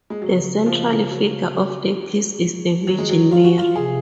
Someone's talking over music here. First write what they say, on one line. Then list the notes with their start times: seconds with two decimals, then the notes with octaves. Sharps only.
The central figure of the piece is the Virgin Mary.
0.10 G#3
0.22 C#3 F#3
0.66 F3
1.10 F#3
2.87 D#3 F#3
2.98 G#3
3.10 F#3
3.32 F4
3.44 F#4
3.58 F4
3.76 C3 G#4